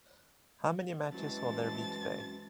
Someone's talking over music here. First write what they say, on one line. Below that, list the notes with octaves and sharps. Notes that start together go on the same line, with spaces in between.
How many matches will there be today?
F#2 E3 F#3 G#3 C4 A5 A6